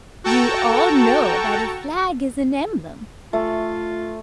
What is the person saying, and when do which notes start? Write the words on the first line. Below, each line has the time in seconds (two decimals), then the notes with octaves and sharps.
You all know that a flag is an emblem.
0.24 F#4 A4 G5 A5 A#5 C#6
3.33 A3 F4